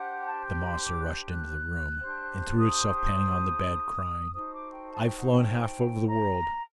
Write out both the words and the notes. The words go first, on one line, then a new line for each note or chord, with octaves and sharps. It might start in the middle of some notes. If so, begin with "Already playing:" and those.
The monster rushed into the room, and threw itself panting on the bed, crying: 'I've flown half over the world.
Already playing: D4 G4 C5 F#5
G5
A5
A#5
C6
D6
G6
F#6
G6
F#6
D4 G4 C5
D#6
D#4 F#4 A4 C5 D#6
D6
G5
A5
G5
F#5
G5
A#5